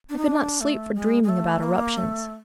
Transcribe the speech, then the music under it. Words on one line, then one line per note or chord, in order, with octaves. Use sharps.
I could not sleep for dreaming about eruptions.
D4
D#4
D4
A3
G#3
G#3
A3
A#3
A3